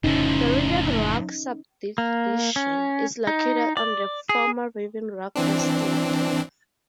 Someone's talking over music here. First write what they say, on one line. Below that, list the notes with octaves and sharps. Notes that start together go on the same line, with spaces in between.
The Riven Rock subdivision is located on the former Riven Rock Estate.
F1 A2 C#3 F3 C#4 D#4
A#3
C#4
D#4
D5
G#4
E3 C4 D4